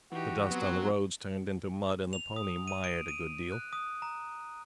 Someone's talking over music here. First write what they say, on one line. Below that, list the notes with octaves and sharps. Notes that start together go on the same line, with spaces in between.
The dust on the roads turned into mud, and the pony mired a good deal.
E3 D#4 F#4 G4
F#3 B3 C4
F7
D#6
D#7
D7
D#7
F#6
D#6
A#5